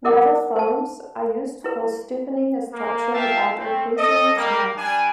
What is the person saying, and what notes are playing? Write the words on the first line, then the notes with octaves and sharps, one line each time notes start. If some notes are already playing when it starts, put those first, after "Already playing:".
Metal foams are used for stiffening a structure without increasing its mass.
E4 A#4 D#5 F#5 D6
C5 A5
E4 B4
A#3
F4 E5 F5 G5 A5
A3 C4
A4 D#5
G3 A#3
G3 D4 G#5